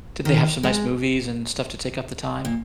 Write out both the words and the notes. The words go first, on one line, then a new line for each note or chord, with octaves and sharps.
Did they have some nice movies and stuff to take up the time?
D#3
G#3
A#2